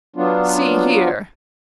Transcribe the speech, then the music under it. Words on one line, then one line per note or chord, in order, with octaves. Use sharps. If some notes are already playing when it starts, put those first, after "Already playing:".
"See here."
F#3 B3 D4 F4